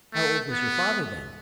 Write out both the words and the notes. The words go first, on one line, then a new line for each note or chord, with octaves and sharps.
"How old was your father then?"
A3
B3